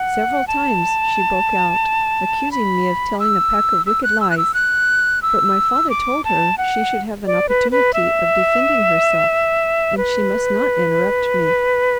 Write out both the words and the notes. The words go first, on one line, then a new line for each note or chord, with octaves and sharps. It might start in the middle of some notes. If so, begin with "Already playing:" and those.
Several times she broke out, accusing me of telling a pack of wicked lies, but my father told her she should have an opportunity of defending herself, and she must not interrupt me.
Already playing: F#5
A5
B5
E6
E6
F#6
E6
F#6
E6
F#6
E6
D6
A5
F#5
D5
B4
B4
E5
B4